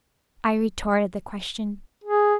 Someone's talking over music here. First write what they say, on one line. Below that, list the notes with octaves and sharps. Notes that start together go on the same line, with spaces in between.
I retorted the question.
G#4